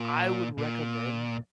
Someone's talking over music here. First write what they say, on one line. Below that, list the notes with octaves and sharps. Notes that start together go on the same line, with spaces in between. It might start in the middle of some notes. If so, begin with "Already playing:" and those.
I would recommend
Already playing: A#2
A#2